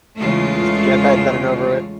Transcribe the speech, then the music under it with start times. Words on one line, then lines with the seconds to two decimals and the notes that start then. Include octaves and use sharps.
Just get that done and over with.
0.17 E2 C#3 G#3 A3 F4